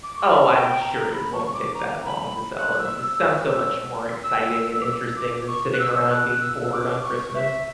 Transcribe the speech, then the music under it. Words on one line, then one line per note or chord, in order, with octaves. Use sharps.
oh, I'm sure it won't take that long to sell. It it sounds so much more exciting and interesting than sitting around being bored on Christmas.
D6
C#6
B5
A#5
G5
A#5
B5
C#6
C#6
D6
A#5
B5
F#6
E6
E6
E6
D6
E6
D6
C#6
F#6
E6
E6
F#6
F#6
E6
E6
D6
C#6
E5